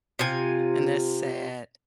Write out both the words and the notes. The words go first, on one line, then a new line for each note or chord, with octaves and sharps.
and that's sad.
C3 F4 G#5